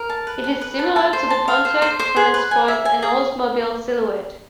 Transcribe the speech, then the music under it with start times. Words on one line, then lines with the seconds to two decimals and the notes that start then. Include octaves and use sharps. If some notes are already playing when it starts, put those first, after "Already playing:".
It is similar to the Pontiac Trans Sport and Oldsmobile Silhouette.
Already playing: A#4
0.09 A5
0.27 B4
0.44 B4
0.61 B4
0.79 A5
0.96 A5
1.13 C5
1.30 A5
1.48 F5
1.65 C5
1.82 C5
1.99 C5
2.16 G#4
2.34 B4
2.51 G#5
2.68 E5
2.85 G#5
3.03 G#4